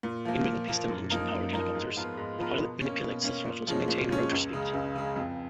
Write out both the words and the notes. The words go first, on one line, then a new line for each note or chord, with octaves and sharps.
In many piston engine-powered helicopters, the pilot manipulates the throttle to maintain rotor speed.
A#2
F3 A#3
A#2
F3 A#3
F#2
F3 A#3 D#4 A#4
F#2
F3 A#3 D#4 A#4
G#2
F3 B3 F4 A#4
G#2
F3 B3 F4 A#4
B2
A#3 C#4
B2
A#3 C#4
A#2
F3 G#3 C#4
A#2
F3 G#3 C#4
C#2
C#3 G#3
C#2
C#3 G#3
F2